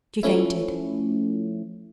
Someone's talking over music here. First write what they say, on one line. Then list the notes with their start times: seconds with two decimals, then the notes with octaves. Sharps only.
She fainted.
0.23 F3 A3 C#4 E4